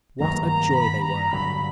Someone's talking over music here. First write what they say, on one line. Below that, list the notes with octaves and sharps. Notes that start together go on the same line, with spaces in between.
What a joy they were!
G2 D#3 F#3 A#3 A#5
A#5
B5
A#5
G2 D3 F#3 B5